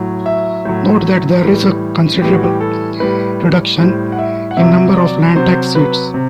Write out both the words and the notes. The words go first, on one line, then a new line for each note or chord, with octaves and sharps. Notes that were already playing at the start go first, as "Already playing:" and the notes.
Note that there is a considerable reduction in the number of Landtag seats.
Already playing: A2 F#3
E5
A2 F#3
A2 E3 G3
A2 E3 G3 G4
F#4
G4
A4
A2 G3 B4
A2 G3 C5
F#5
E5
F#5
C3 F#3 E5
D5
C3 F#3 C5
B4
C3